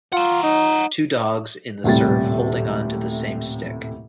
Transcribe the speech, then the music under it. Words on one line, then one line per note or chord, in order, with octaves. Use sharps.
Two dogs in the surf holding on to the same stick.
F4 F#5 A#5
D#4
D#1 A2 C3 G3 A6